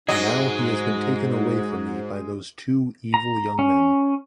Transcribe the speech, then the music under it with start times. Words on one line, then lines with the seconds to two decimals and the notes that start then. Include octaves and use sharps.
Now he has been taken away from me by those two evil young men.
0.08 G#2 F#3 G#3 G#4 D#5
3.14 A#5
3.59 C#4